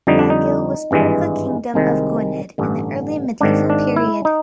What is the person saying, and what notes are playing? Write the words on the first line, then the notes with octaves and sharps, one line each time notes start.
Bagillt was part of the Kingdom of Gwynedd in the early medieval period.
F2 D3 G3 D#4
D4
D#4
G#1 G2 E3 G#3
C2 C3 D#3 G#3
A1 G2 D3
G#1 G#2 D#3 D4
D4
E4
D#4